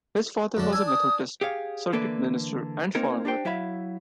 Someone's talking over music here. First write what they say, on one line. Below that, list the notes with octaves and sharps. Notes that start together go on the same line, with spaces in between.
His father was a Methodist circuit minister and farmer.
F#2 D3 D4
D4 G#5 E6
D#6
G4 G#4 C#5 F5
D3 E3 A#3 A4 B4 D5
A#3 C4 D#4 A#4 C#5
D4 G4 C5 G5
F#3 E4 E5 F5 B5